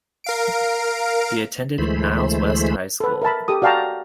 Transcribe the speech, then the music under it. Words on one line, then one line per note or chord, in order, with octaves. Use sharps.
He attended Niles West high school.
A#4 F5 D7
D2 E3 G#3 A3 C5 B5
A4 B4
A#4 E5 A5 B5
G4 A4 D#6
F#4 D5 F5 G5 A5 A#5